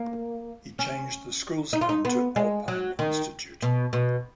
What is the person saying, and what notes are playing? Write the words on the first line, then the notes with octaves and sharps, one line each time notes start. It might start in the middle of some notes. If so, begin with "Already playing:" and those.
He changed the school's name to Alpine Institute.
Already playing: A#3
C#4
D#4
F4
D#4
B3
G#3
F#3
D#3
B2
B2